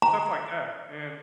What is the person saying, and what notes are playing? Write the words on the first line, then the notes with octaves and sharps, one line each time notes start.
stuff like that, and
A#5